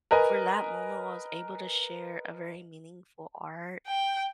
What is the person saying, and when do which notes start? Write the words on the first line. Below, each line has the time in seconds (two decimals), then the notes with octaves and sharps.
for that moment, while I was able to share a very meaningful art,
0.11 A#4 B4 D#5 G#5
3.87 G5